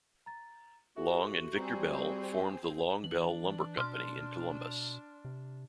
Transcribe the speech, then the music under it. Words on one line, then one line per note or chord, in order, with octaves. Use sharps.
Long and Victor Bell formed the Long-Bell Lumber Company in Columbus.
A#5 A6
F#4 G4 A4 E5
G3 C4 G#4 A#5
E3 D4 F#7
B2 C6 F6
C3